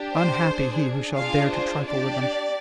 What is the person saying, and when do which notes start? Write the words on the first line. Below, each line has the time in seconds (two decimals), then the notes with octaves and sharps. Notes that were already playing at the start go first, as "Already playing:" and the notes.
Unhappy he who shall dare to trifle with them!
Already playing: D4 G4
0.15 C5
0.48 D4 G#4
1.17 D4 F4 G#4 F5
1.51 C5
1.85 D4 G4 D5